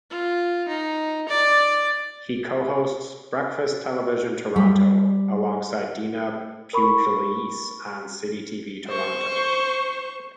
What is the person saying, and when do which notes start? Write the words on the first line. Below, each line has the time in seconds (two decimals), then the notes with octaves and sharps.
He co-hosts "Breakfast Television Toronto" alongside Dina Pugliese on Citytv Toronto.
0.11 F4
0.68 D#4
1.28 D5
4.56 G3
6.73 A#4 B5 C#6
8.89 C5 C#6